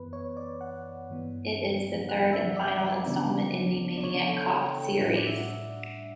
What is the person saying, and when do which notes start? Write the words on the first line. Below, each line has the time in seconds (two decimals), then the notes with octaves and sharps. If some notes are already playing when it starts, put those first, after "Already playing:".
It is the third and final installment in the "Maniac Cop" series.
Already playing: F#2 E3 B3 B4
0.13 C#5
0.37 D5
0.61 F#5
1.10 G2 E3 B3
2.09 F#5
2.33 E5
2.57 D5
2.82 D5
3.05 C#3 E3 B3 D4
3.98 D5
4.04 C#5
4.28 A4
4.52 G5
5.01 A2 G3 D4 F#5
5.16 D5
5.27 E5